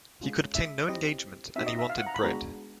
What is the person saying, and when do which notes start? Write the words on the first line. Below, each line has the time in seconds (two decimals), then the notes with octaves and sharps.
He could obtain no engagement, and he wanted bread.
0.21 G#3 C#4 F4
0.55 E5
0.88 C4 E4 G4 D#5
1.56 C4 D#4 F#4 E5
1.67 D#5
1.79 E5
1.90 F5
1.98 F#5
2.06 A#5
2.15 B5
2.23 G#3 B3 D4 F#4 A#5